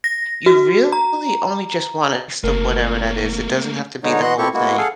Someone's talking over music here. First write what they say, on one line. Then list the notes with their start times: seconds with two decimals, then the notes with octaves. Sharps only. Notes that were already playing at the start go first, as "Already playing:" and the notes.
you really only just want it as to whatever that is, it doesn't have to be the whole thing.
0.04 A#6
0.46 F#4
0.92 A#5
2.44 F#1 A3 A#3 A#4
4.04 D3 G#3 B3 D#4 C#5
4.21 E3 B3 F#4 D#5 C6 F#6
4.38 B2 C4 E4 G4 A4 C#6
4.54 G#3 A#3 B3 E4 F#4
4.78 G#4 A4 F5 F#5